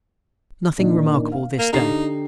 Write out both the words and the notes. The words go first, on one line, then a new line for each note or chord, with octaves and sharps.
Nothing remarkable this day.
A#2 D#3 D4
F5
A#3
D3 D#4 G4 C7